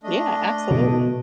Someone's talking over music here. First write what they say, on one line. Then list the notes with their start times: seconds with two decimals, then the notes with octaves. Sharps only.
Yeah, absolutely.
0.03 A3 D4 D#5
0.71 B2